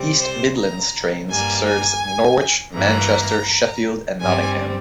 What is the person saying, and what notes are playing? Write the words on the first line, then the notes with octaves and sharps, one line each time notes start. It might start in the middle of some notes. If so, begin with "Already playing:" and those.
East Midlands Trains serves Norwich, Manchester, Sheffield and Nottingham.
Already playing: C3 G3 C4
C5
A#5
G2 G3 A#3 G#5
G#5
G2 E3 A#3 A#5
G2 G3 C4 G#5